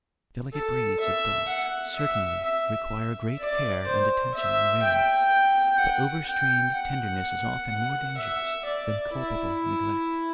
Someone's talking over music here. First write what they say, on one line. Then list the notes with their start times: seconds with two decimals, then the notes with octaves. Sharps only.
Delicate breeds of dogs certainly require great care and attention in rearing; but overstrained tenderness is often more dangerous than culpable neglect.
0.53 A4
1.00 E5
1.48 F#5
1.96 E5
2.43 E5
3.39 D5
3.87 C5
4.34 E5
4.82 G5
5.78 F#5
6.26 G5
6.74 F#5
7.69 F#5
8.18 E5
8.65 D5
9.13 E4